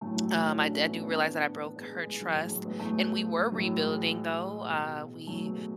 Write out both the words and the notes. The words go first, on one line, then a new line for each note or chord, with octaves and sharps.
Um, I di I do realize that I broke her trust, and we were rebuilding though, uh, we
A2 E3 F#3 A3
F#3 A3
C#4 E4
D4 F#4
C#4 E4
B3 D4
B3 D4
A2 E3
G#3 B3
G#3
G#3
F#3
A2 E3 G#3
F#3 A3
G#3 B3
F#3 A3
A2 E3 F#3
G#3
B2
F#3 A3
G#3 B3